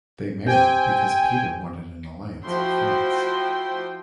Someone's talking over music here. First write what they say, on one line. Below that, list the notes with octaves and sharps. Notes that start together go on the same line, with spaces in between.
They married because Peter wanted an alliance with France.
C4 G4 G5 G#5
F3 E4 F#4 G5 C6